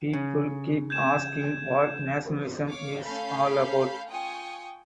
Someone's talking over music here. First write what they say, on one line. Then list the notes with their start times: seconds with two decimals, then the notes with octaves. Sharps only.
People keep asking what nationalism is all about.
0.13 C#3
0.90 G6 G#6 E7
2.67 C#5 F5 D6
3.02 A3 C#4 A4 F5 B5 G6
4.09 F4 G5 G#5 C#6 D#6